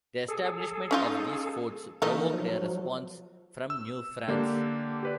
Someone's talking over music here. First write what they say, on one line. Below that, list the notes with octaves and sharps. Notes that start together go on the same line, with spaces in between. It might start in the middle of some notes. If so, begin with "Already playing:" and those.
The establishment of these forts provoked a response from New France.
G#4 A4
C#4 D#4 F4
D#3 E3 A3 A#3 D#4
F3 F#3
E6
D3 A#3 D4 G4
G4 B4 D5